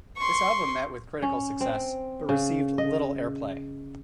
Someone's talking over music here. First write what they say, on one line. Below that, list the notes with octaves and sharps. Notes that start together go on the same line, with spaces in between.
This album met with critical success but received little airplay.
C6 C#6
C#4
C4
C#3
D#5